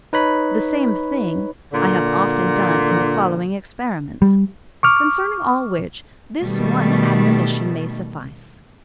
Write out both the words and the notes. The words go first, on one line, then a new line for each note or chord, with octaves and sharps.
The same Thing, I have often done in the following Experiments: Concerning all which, this one Admonition may suffice.
D#4 B4 C#5 B5
A#2 D3
G3
C#6 D6 F6
B2 D#3 G3 A3